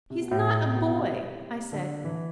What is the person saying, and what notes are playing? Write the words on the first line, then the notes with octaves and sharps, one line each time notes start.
"He is not a boy," I said.
C3
B2
A2
B2
B2
C3
D3
E3